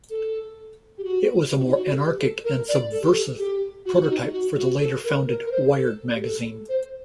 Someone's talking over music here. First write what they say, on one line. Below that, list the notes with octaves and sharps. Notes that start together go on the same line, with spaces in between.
It was a more anarchic and subversive prototype for the later-founded "Wired" magazine.
A4
G4
F#4
G4
F#4
D#4
F#4
A4
G4
A4
A#4
D5
A4
G4
A4
G4
F#4
F#4
D#4
F#4
F#4
A4
A#4
A#4
A#4
C5
A4
G4
A4
C5